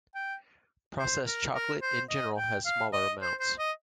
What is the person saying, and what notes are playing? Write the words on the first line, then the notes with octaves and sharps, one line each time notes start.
Processed chocolate, in general, has smaller amounts.
G5
C5
A#4
A#4
C5
D#5
G5
F5
D#5
C5
C5
D#5